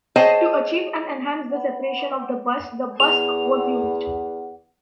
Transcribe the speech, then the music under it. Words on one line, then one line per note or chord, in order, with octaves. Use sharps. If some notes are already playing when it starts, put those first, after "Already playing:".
To achieve and enhance the separation of the bust the "busk" was used.
G#4 C5 C#5 D#5 G5 A5
E2 F7